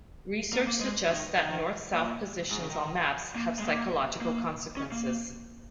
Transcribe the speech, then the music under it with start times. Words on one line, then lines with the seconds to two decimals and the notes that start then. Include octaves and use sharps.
Research suggests that north-south positions on maps have psychological consequences.
0.53 A#3
0.67 A#3
0.81 G#3
1.09 D#3
1.37 D#3
1.94 A#2
2.51 G#2
2.60 C#3
2.70 D#3
3.36 A#3
3.59 G#3
3.64 A#3
4.21 A#3
4.77 C#4
4.92 A#3